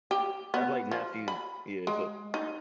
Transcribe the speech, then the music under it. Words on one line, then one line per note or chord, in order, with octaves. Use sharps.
I have, like, nephews. Yeah, so
G4
B3
F3
B5
G#3
D#4